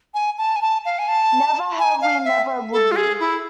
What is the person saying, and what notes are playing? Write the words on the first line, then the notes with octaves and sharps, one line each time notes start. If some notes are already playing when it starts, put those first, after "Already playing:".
Never have we -- never would we.
G#5
A5
G#5
A5
F5
G#5
A5
G#5
F5
E5
A4
F4
G#4
E4